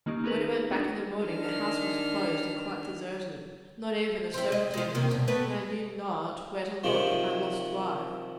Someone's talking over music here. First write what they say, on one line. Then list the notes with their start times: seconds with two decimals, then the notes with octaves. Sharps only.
When I went back in the morning the house was closed and quite deserted; not even a servant in it, and I knew not where to look for my lost wife.
0.06 D#3 A#3 C#4 D#4 G4
0.24 B3 D#4 G#4 A#4 B4
0.71 B3 D4 D#4 F#4
1.21 D#3 D4 F6
4.34 C4 E4
4.52 D#5
4.74 G#3 F4
4.95 C3 D#3 A#3
5.11 G2 B2
5.28 A3 B3 B4
6.84 C3 D#3 F3